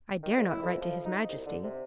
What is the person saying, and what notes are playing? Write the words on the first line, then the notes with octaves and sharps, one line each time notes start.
"I dare not write to his majesty."
D#3
C#2
E4
F2
F3
D#4
C2
D3
C3